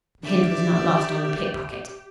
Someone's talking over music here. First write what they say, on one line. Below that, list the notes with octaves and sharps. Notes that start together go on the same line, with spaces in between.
The hint was not lost on the pick-pocket.
D4 G4 D5 E5